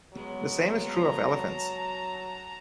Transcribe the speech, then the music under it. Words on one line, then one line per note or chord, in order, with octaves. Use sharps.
The same is true of elephants.
C#3 F#3 G#3 B3
A5 A#5